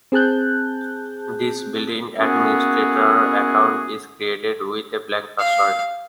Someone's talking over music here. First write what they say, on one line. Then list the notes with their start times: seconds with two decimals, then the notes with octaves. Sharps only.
This built-in administrator account is created with a blank password.
0.12 C4 G#4 A5 F#6 G6
2.19 A#3 B3 C#4 E4 F#4 G#4
5.39 F5